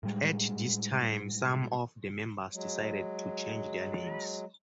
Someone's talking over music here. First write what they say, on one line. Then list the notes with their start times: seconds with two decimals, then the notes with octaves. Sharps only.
At this time some of the members decided to change their names.
0.03 A2 G3 G#3
2.53 F#3 G#3